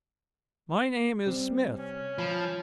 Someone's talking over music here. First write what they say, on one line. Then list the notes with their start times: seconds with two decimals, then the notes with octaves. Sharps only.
"My name is Smith."
1.26 C3 G3 C4
1.77 C#4
2.18 F3 B5